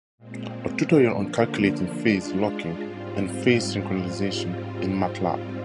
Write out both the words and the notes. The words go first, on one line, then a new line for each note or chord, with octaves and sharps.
A tutorial on calculating Phase locking and Phase synchronization in Matlab.
A#2 G#3 C4
D3 F3 A#3 D4
G#3 D4 F4
G#2 G3 C4 F4